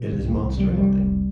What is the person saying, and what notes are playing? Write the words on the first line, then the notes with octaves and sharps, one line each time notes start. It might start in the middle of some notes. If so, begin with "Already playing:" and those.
It is monster hunting.
Already playing: B2 D#3
C2
C2
C3 G3
F3
C2 G3
F1